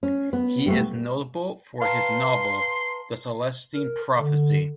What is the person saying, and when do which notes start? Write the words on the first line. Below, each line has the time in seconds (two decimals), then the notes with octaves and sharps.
He is notable for his novel "The Celestine Prophecy".
0.03 C#4
0.33 B3
0.66 G3 A3 B3
1.82 B4 F5 A5 A#5 C6
3.75 A#4
4.18 D3